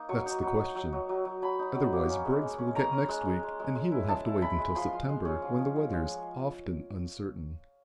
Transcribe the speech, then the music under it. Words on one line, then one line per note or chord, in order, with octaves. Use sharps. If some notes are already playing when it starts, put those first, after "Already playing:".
That's the question. Otherwise Briggs will get next week, and he will have to wait until September--when the weather is often uncertain.
Already playing: A#3 D#4
F#3 C#6
D#4
F#3
D#4
F#3
F#3
F#3
F#3
F#3 B5
D#4
F#3
A#3
C#4
G#3
G#3
C#4
C#4 A#5
C#4
G#3
G#3
G#3
G#3
G#3
E4
G#3 A5
E4
G#3 B5
G#3
F3 C6
F4
G#3
C#4
F3
F3
G#3
G#3